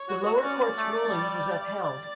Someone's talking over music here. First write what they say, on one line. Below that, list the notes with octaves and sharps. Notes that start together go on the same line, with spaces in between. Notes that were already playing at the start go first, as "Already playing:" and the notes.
The lower court's ruling was upheld.
Already playing: C#5
F#4
F#4
C#4 D5
A3
G3
D5